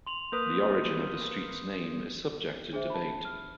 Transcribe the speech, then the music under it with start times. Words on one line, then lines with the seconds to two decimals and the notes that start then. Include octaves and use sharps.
The origin of the street's name is subject to debate.
0.07 C6 F7 F#7
0.32 A#3 A#4 B4 D#6 G6
2.73 D4 G#4 C5 E5
2.90 A5 B5
3.25 F6